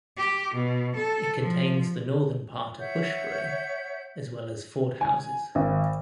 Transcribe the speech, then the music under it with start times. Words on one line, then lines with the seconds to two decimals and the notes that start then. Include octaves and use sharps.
It contains the northern part of Bushbury as well as Fordhouses.
0.18 G4
0.55 B2
0.96 A4
1.40 F3
2.79 C#5 E5 F#5 G6
5.01 G#5
5.55 G#1